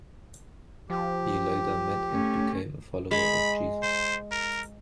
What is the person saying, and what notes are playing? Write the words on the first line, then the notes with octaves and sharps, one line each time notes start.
He later met and became a follower of Jesus.
F3 G4
A3 C#4
G#3 B5
C5
A#4